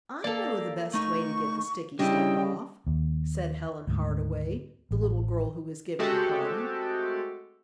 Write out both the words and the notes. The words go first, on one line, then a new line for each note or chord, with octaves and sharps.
"I know the best way to get the sticky stuff off," said Helen Hardway, the little girl who was giving the party.
A#3 A4 D5 F5
A3 D#4 C#6
C#3 G3 D4 E4 D#5 G5
D#2
D2 G#2
A1
G#3 A3 C4 F#4 G4 A4